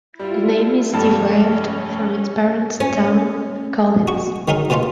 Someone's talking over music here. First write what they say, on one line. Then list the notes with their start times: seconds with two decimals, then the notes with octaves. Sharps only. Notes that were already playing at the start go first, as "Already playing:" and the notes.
The name is derived from its parent town, Collins.
0.19 G3 E4 F4
0.93 F1 G2 G3 A4 C#5 A5
1.32 C#4
2.80 C#4
4.08 F#4 C#6
4.48 D#3 F#3 D#4 G#4 A#4
4.70 B2 A#3 C#4 D#4 F4